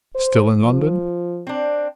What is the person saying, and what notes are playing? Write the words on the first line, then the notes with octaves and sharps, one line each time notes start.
"Still in London?"
C5
F3
C4 D4